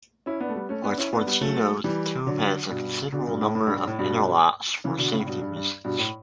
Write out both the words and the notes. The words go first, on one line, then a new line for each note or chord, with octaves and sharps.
A torpedo tube has a considerable number of interlocks for safety reasons.
C#4 E4
B3 D4
A3
G3 B3
A3 C#4
B3 D4
C#4 E4
B3 D4
G3 B3
F#3 A3
E3 G3
D3 F#3
G2 B2
B2 D3
G2 B2
A2
A2
G2
G2
A2
G2 B2
C#3 E3
B2 D3
A2 C#3
G2 B2
G2
G2
G2 B2
A2